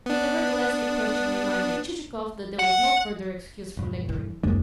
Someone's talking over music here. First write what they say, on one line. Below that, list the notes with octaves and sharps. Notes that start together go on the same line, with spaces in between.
Nevertheless the question reminded Chichikov that there was no further excuse for lingering.
B3 D4
F#5
E1 G2
E3
F#1 D#2 G#3 A#3 D4